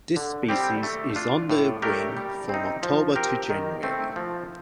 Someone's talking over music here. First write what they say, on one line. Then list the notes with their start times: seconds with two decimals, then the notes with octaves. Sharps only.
This species is on the wing from October to January.
0.16 D3
0.49 G3 C4 G4
0.83 A3
1.16 D4 F4
1.50 A2
1.82 A3 D4 G4 A#4
2.17 G3
2.49 C4 D#4
2.83 F3
3.16 C4 G4 A#4
3.50 D#3
3.83 A3 C4
4.16 F3